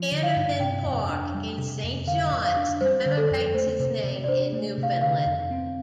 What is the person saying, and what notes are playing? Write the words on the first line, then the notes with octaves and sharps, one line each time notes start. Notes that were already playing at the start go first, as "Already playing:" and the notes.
Bannerman Park in Saint John's commemorates his name in Newfoundland.
Already playing: F3
D3
F5
G2
C3 G5
F2
D4
G3
C3
F2
D3 F5
F2
F5
D4
G3 C5
D3
A4
F2
A3 C5
C3
C3
D5
D4 C5
A3
C3
F5
D3 F5
F2
C4